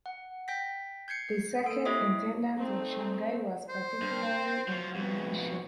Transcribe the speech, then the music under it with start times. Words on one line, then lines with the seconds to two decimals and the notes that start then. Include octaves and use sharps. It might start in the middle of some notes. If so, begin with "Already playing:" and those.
The circuit intendant of Shanghai was particularly influential.
0.06 F#5
0.48 G5 G6 A#6 B6
1.08 G6 G#6 C7 C#7
1.66 A#3 A4 D7
1.85 E4 G4 C#5 D#5 E5 D#6
2.57 A3 C4 D#4
3.69 C5
4.02 G2
4.22 C4
4.68 F#3 F4
4.95 F2 B2